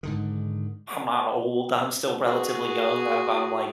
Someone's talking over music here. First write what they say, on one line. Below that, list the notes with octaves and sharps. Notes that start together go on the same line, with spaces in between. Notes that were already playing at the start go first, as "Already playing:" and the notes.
I'm not old, I'm still relatively young, I'm I'm, like,
G#2 D3 D#3
F#4 G#4